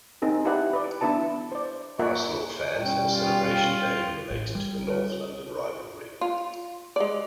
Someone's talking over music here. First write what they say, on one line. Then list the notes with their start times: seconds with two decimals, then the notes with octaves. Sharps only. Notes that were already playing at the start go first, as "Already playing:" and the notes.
Arsenal fans have a celebration day related to the north London rivalry.
0.22 C4 D#4 G#4 A#4
0.45 E4 G4 B4 D5 F#5
0.73 B4 D5
1.01 B3 D4 E4 B4 A5
1.52 C5 D5
1.99 A#3 F4 A#4 E5 F#5
2.80 B2 G3 C#4 G5
3.14 F4
4.31 A1
4.55 G3
4.87 B4 C#5
6.21 F4
6.96 G#3 D5